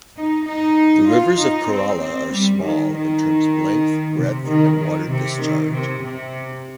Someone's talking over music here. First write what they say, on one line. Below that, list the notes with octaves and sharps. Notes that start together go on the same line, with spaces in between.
The rivers of Kerala are small, in terms of length, breadth and water discharge.
D#4
D#4
F4
D#4
C4
C4
G3
D#3
D#3
C3
D#3
D#3
C3
D#3
C3
C3